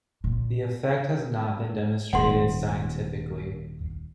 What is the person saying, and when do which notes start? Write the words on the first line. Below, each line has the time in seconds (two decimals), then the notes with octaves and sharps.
The effect has not been demonstrated scientifically.
0.24 A#2
2.13 D#1 F#5 C6